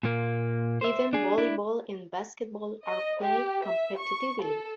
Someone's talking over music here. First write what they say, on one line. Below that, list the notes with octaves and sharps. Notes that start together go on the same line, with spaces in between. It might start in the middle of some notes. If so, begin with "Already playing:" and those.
Even volleyball and basketball are played competitively.
A#2 A#3
C5 E5
D4 G#4
D4 E4
D#5
G4
E5
C#6
A4